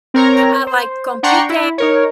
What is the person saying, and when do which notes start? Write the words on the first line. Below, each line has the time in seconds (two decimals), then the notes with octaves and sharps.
Uh, like,, "computer"
0.14 C4 A#4 C#5 A#5
0.67 C5
1.23 D4 F#5 G5 A#5 C6 C#6
1.49 E4
1.78 D#4 A#4 C#5